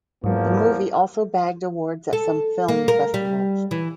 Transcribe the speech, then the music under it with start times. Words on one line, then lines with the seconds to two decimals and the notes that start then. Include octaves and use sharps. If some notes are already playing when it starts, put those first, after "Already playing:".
The movie also bagged awards at some film festivals.
0.24 E2 G#2 F3 F#3 A#3
2.13 A4
2.68 A#3
2.88 A#4
3.14 G3
3.71 E3